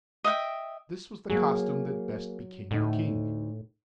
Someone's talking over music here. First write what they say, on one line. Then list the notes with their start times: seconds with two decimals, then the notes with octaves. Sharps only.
This was the costume that best became the king.
0.24 D#5 E5 F#5 G5
1.30 F#3 A#3 G#4
2.71 D2 A2 D#4